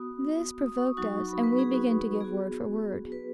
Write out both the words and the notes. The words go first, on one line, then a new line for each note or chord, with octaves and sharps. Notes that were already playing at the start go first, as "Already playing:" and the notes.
This provoked us, and we began to give word for word.
Already playing: B3 F#4 D#6
D#6
C#6
D#6
F#3 D#4 F#4 C#6
B5
B4
G#4
F#4
B3 F#4 G#4
B4